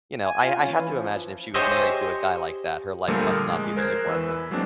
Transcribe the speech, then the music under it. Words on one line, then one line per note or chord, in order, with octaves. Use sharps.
you know, I I have to imagine if she was married to a guy like that, her life must not be very pleasant.
G#5
F4
C#4
E3
F3
G4 G#4 C5 C#5 D#5 E5
A#2 D3 F3 G3 A3 A#4
D#6 F6
G#3
A#4 C5 F#6 G#6
E2 E3 B4 E6
F#3 G#3 A#3 C4 D4